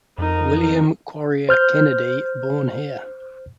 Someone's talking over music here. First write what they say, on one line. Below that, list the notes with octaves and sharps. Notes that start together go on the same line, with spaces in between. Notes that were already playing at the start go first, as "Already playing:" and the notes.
William Quarrier Kennedy born here.
F2 D#4 A#4
C5 F6 G6